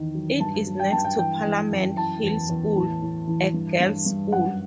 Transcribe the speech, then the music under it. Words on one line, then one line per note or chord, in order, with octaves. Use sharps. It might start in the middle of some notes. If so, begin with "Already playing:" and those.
It is next to Parliament Hill School, a girls' school.
Already playing: E2 D#3
F#3
G2 A5
F#3
G5
G2 A5
G5
E3 G5
E3
F#2
E3 A5
E2
E2
A2
A2
E3
G2
G2
G2
F#2 F#5